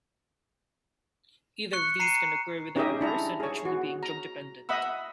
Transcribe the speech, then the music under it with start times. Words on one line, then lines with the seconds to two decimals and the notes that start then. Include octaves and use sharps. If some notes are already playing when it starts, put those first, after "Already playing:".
Either of these can occur without the person actually being drug-dependent.
1.73 C#6 F#6 C#7
2.00 A#5 C7 C#7 D#7
2.76 C#4 D#4 G4 G#4 D#5 E5
3.01 D4 E4 A#5
3.40 G#4 C#5
3.65 F#4
4.03 A#5
4.69 D#5 E5 F#5 B5 E6